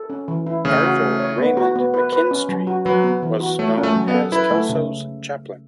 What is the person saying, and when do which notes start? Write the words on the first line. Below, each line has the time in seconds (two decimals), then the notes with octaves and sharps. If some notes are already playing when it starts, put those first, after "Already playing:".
Arthur Raymond McKinstry was known as Kelso's chaplain.
Already playing: A4
0.10 C#4
0.28 E3
0.47 E4
0.65 C#3 A3
0.83 F#4
1.02 A3
1.20 C#5
1.38 B3
1.57 F#4
1.75 B3
1.94 B4
2.12 B4
2.31 C#4
2.49 F#3
2.67 F#4
2.85 F#3 B4
3.04 B3
3.22 E3
3.40 F#4
3.59 A3 C#5
3.78 C#4
3.83 A3
3.96 F#3
4.08 B3
4.14 A4
4.32 E4 B4
4.51 A3
4.69 C#3